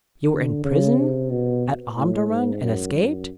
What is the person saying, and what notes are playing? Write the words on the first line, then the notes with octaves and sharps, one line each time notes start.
You were in prison at Omdurman and escaped?
D3
C#3
C3
B2
A2
G#2
F#2
F#2